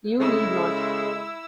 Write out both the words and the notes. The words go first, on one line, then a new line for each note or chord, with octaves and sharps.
You need not.
C#3 G#3 E4 A4 E6